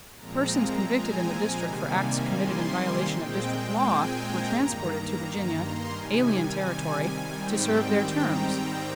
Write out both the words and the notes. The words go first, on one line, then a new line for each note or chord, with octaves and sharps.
Persons convicted in the District for acts committed in violation of District law were transported to Virginia-alien territory-to serve their terms.
A#2 F3 G#3 C4 A#5
A#5
G#5
C3 D#3 G3 A#3
C6
A#2 G#3 C4 G5
G#5
A#5
G2 D#3 A#3
A#5
C6
C3 D#3 G3 G#5
G#5
G#2 D#3 G3 C4 G5
G5
A#5